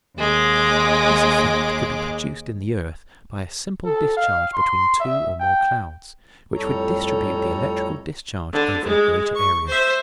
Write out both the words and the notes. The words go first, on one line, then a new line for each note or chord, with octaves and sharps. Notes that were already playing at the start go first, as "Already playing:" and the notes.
This effect could be produced in the earth by a simple discharge between two or more clouds, which would distribute the electrical discharge over a greater area.
D#2 G#3 D6
A4
F5
C6
E5
G5
F2 A2 G3 A4 C#5 A#5
D3
G#3
C#6
C5 E5